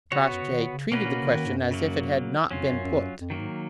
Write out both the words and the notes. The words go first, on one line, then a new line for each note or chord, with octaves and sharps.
Crossjay treated the question as if it had not been put.
C#3 B3 F#4 C#5
C#3
F#2
C#3
D#3
C#3
B2 A#3 C#4 F#4 B4
A#2
B2
C#3
D#3
G#2
F#2
C#3 F#3 A#3
F2 F#3 C#4 F4
F#2
F#2
F2
F#2
F2
F#2 D#3 F#3 A#3
G#2